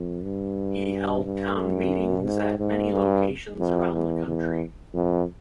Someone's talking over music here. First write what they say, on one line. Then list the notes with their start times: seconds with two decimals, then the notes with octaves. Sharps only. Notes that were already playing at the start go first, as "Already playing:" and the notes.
He held "town meetings" at many locations around the country.
Already playing: F2
0.24 G2
1.24 G2
1.58 F#2
2.25 G#2
2.59 G#2
2.92 G2
3.59 F2
3.93 E2
4.27 E2
4.94 F2